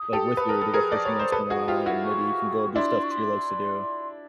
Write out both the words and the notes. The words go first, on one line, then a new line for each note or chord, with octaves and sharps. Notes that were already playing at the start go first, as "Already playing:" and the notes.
like, with you they go fishing once in a while, and maybe you can go do stuff she likes to do.
Already playing: D#6
G4 A4
B4
A#4
A4
G#4 A#4
D5
C#5
C5
A4 B4
F#4 G#4
F4 G4
E4 F#4
C#6
D4 E4 C6
C#6
C6